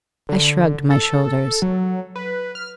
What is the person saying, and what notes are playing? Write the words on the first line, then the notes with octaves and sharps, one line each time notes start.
I shrugged my shoulders.
D3
A4
F#3
B4
F6